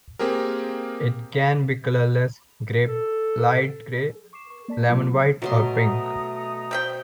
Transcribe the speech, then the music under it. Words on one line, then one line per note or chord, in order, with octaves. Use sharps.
It can be colorless, gray, light gray, lemon white, or pink.
A#3 C4 G4 G#4 A#4
A4
C#6 D6 C7 E7
C#6
A#3 D5 A5 B6
F#3 A#3 F4 A5
B2 F#3 A3 A#5 C6 D#6
C4 E5 G5